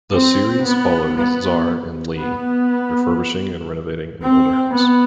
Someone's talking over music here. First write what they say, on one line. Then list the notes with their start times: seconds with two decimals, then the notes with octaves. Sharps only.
The series followed Czar and Leigh refurbishing and renovating an older house.
0.14 C4
0.65 B3
1.16 B3
2.18 B3
4.22 C4
4.73 B3